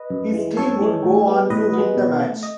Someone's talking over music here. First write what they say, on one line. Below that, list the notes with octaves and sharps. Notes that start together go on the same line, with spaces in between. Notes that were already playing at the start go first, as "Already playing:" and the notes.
His team would go on to win the match.
Already playing: B4 D#5
F#2
E3 G#3
F#2 A4 C#5
E3 G#3
A2
G#3 B3
A2 B4 D#5
G#3 B3
B2
A3
D#5